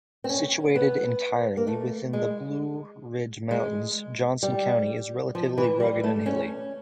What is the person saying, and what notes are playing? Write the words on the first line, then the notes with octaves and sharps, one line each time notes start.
Situated entirely within the Blue Ridge Mountains, Johnson County is relatively rugged and hilly.
C4
C#4
B3
A#3
A3
G#3
G#3
G3
F3
E3
G3
A3
C#4